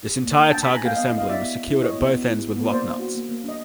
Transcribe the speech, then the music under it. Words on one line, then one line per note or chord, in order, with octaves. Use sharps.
This entire target assembly was secured at both ends with locknuts.
G4
A#3
A#3
D4 G5 A5
G4 A5 B5
G#5 A#5
A#3 F5 G5
B3 D#5 F5
E4
D#5 F5
G4 D5 E5
B3
B3
E4
G4 C#5 D#5
B3
B3
E4
G4
B3
A#3 C5 D5
D4
F#4
A#3
A#3
D4 D#5